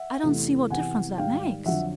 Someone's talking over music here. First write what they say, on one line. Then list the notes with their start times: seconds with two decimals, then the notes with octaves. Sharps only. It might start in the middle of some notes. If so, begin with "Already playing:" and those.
"I don't see what difference that makes."
Already playing: E5 F#5
0.23 E2 C3 E3 A3
0.70 E2 C3 E3 F#5 G#5
1.18 G#2 D#3 G3 F5 G5
1.66 F2 D3 F#3 E5 F#5